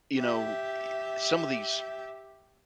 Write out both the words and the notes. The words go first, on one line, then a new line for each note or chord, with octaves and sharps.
you know, ye some of these
G4 E5